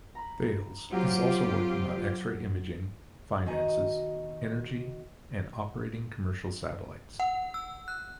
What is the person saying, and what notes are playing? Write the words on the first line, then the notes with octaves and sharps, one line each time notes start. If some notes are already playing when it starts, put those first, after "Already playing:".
Thales is also working on X-ray imaging, finances, energy and operating commercial satellites.
A#5 B5
F#3 C4 F4 G4 A#5
B2 D#3 F#4 D#5 G#5 A#5
F#5
E6
F#6